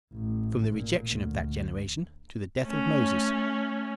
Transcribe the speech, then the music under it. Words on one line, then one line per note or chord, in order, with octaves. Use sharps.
From The Rejection Of That Generation To The Death Of Moses.
A1
A#2
D2
A3 C#4